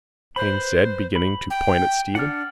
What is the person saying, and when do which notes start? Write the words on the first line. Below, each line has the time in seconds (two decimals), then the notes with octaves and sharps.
Haines said, beginning to point at Stephen.
0.36 B4 C5 B5
1.16 B5
1.50 G5
2.15 D4 F#5 F6